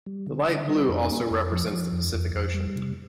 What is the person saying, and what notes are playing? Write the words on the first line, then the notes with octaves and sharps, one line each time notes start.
The light blue also represents the Pacific Ocean.
G3
D3
D3
G3
F2
A#3
F2
F3
F3
F2
F2
F2
G3
C3